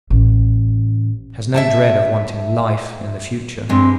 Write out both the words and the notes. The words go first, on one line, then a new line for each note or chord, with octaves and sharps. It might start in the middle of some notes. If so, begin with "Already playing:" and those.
Has no dread of wanting "life" in the future.
A1
E5 F#5 A5
G2 G#3 C4